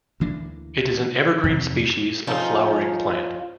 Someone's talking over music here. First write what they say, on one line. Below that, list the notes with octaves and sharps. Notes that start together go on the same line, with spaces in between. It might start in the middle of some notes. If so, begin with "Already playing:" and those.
It is an evergreen species of flowering plant.
D2 E3 A#3 D4
F2 C3
F3 C#4 D#4 F4